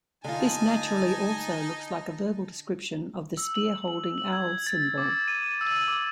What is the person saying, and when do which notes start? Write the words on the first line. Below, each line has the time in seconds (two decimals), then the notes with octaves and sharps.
This naturally also looks like a verbal description of the spear-holding owl symbol.
0.24 D3 D#4 F4 G#5 A5
3.37 E6
3.54 F#7
3.88 F#7
4.18 F#7
4.33 G#6
4.67 A6
4.98 D6
5.28 D#7
5.61 E6
5.88 D6